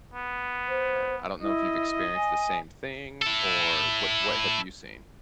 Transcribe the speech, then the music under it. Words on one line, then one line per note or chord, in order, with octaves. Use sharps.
Uh, I don't know if you've experienced the same thing? Or what what have you seen?
B3
C5
E4 D#5
G#5
E4 A4